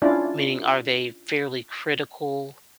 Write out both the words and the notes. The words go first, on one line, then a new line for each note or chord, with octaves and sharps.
Meaning, are they fairly critical
C#4 D4 E4 F4 D5